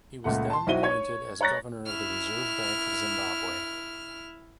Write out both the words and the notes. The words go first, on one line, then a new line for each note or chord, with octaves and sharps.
He was then appointed as governor of the Reserve Bank of Zimbabwe.
C#2 A#2 A3 F#5
A5 C6
B1 C4 E4 F#4 D#7 G7
C#5 C#6 G#6
C#5 A#5 F#6 A6 A#6
E4 F6